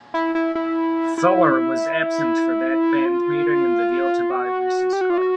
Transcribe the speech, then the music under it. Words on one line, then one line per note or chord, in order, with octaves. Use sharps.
Fuller was absent for that band meeting and the deal to buy Reese's car.
E4
E4
E4
E4
F4
F#4
G4
F#4
F4
F#4